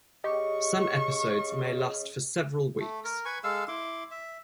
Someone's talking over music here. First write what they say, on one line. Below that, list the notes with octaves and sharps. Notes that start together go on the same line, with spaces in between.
Some episodes may last for several weeks.
C#3 G4 D#5 C#6
A3
A#4
B4 G#5 C#6
G#3 A4 F5 E6
E4 C6 D6
E5